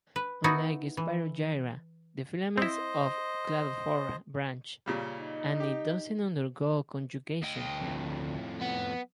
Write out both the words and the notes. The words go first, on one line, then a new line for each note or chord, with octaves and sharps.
Unlike "Spirogyra" the filaments of "Cladophora" branch and it doesn't undergo conjugation.
B4
B3 D#4 E4 F#4
E3
C4 E4 C5 D#5
A#2 C#3 G3
D#4
G4 G5
D2 D#5 G5
F2 A2
B3